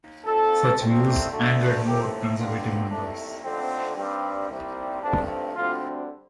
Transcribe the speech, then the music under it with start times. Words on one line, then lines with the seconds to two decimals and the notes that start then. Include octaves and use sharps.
Such views angered more conservative members.
0.25 F2 F3 C4 A4
0.79 C2 C3 A3 C4
1.31 D2 D3 A3
1.84 A2 A3 C4 G4
2.37 G2 D3 F3 C4 F4
2.90 C2 C3 A3 D4
3.43 F2 D3 A3 C4
3.97 G2 G3 C4
4.49 C2 C3 G3 C4
5.02 G2 F3 A3 C4 D4
5.55 D2 D3 G3 C4 F4